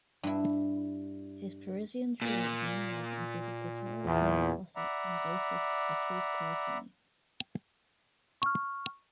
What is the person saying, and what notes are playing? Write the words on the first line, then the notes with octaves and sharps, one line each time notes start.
His Parisian trio of many years included guitarist Marc Fosset and bassist Patrice Carratini.
G2 E4
A#2 A#3
E2
D5 E5 F#5 A#5 B5
C#6 F6